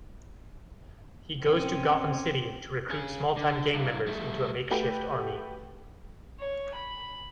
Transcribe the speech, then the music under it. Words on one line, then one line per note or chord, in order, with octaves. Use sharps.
He goes to Gotham City to recruit small-time gang members into a makeshift "army".
A1 C4 C#4
C#4 G#4
D3
C2 G2
G3 A3
A3 F#4 G4 B4
C#5
B5